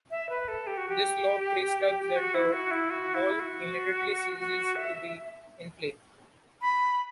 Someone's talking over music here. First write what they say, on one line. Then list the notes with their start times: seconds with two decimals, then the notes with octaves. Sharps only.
This Law prescribes that the ball immediately ceases to be in play.
0.11 E5
0.29 B4
0.48 A4
0.67 G4
0.77 F#4
0.89 G4
2.16 F#4
2.34 E4
2.53 F#4
2.71 E4
2.90 F#4
3.14 E4
3.40 F#4
4.39 F#4
4.76 E5
6.62 B5